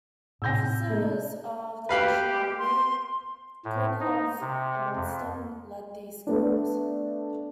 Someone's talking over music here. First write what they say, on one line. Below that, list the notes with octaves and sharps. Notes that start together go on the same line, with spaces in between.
Officers of the Russian Army, Kornilov amongst them, led these calls.
A2 C3 E6 G6 A#6
G#3 A3
G4 B4 F5 B5
C6
A2
D#4
C3
F2
A3 B3 D4